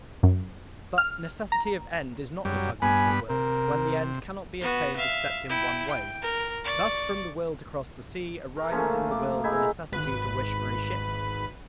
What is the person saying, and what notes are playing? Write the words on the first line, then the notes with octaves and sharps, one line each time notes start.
But necessity of end is not repugnant to the will, when the end cannot be attained except in one way: thus from the will to cross the sea, arises in the will the necessity to wish for a ship.
F#2
F6
A#5
F#2 F#3 G3
G2 B3 G#5 B5
C3 A#4
B3 F#4
E5 F5
E4 G5
G5
A#4
D5 C#6
A#4
F3 A3 A#3 C#4
D6
D#4 E4 G#4 E5
G#1 B4